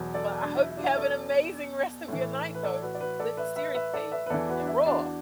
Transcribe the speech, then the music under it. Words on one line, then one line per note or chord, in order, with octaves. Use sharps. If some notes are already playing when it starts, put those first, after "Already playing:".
but, I hope you have an amazing rest of your night though, li seriously, and roar.
Already playing: E2 B2 F#3
A4 D5
D4
E4
E4
D4
E4
A4 D5
A2 E3
B4
A4 D5
F#4 B4
D5
F#4 B4
A4 D5
B4 E5
B4 E5
B4 E5
A4 D5
B4 E5
B4
E2 E3 A4 D5
F#4 B4
D4
E4
D4 F#4